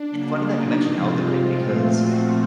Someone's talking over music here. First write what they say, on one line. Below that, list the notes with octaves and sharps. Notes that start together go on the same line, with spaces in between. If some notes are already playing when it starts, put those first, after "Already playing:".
it's funny that you mentioned Elden Ring because,
Already playing: D4
C#3 F#3 A#3
D#4
C3 F3 G#3 C4 F4
A#2 F3 A3 C4
F#4